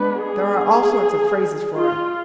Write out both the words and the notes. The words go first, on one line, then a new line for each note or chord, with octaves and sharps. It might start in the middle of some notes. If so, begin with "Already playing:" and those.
There are all sorts of phrases for it.
Already playing: G#3 B3 D4 B4
G#4
F4